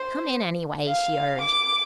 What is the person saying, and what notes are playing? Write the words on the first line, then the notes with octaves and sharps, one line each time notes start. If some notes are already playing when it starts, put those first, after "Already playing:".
"Come in, anyway," she urged.
Already playing: C5
F5
D6